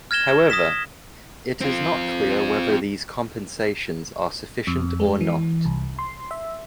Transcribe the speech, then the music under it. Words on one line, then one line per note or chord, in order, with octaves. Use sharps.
However, it is not clear whether these compensations are sufficient or not.
F6 G#6 A#6 E7 G7
D#6 A#6 B6 E7
C4 F4
F2
G#3
E3
C2
C6
E5